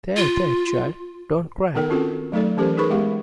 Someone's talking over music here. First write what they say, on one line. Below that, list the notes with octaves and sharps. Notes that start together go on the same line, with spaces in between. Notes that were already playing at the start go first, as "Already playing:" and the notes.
There, there, child, don’t cry.
F4
D#3 B3 D#4 A4 A#4 G5
C4 C#4 F4 F#4 A4
F#3 A3 D#4 A4 D5
E3 C#4 G4 A4 A#4 C5
D#4 G#4 A#4 B4 B5 C#6
G#3 B3 G4 F5